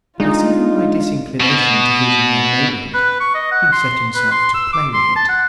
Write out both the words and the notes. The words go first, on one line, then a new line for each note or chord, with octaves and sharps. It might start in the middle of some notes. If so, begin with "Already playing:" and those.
Perceiving my disinclination to his near neighbourhood, he set himself to play with it.
G#3 D4 D#4 F4
B2
B4
C#6
D#5
F#5
C6
B4
C6
E6
D6
C6
A5
F#5